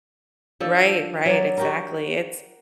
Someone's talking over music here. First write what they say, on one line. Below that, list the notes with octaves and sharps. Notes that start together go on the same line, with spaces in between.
Right, right, exactly, it's
F3 D4 A4
F#3 A#4 D5
F#4 G4 A#4